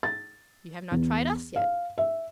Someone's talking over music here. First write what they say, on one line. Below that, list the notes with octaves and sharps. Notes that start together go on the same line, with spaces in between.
You have not tried us yet.'
A6
E2
F5
E5